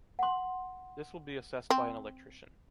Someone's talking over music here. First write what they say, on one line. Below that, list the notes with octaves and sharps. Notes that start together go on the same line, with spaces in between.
This will be assessed by an electrician.
F#5 C6
C4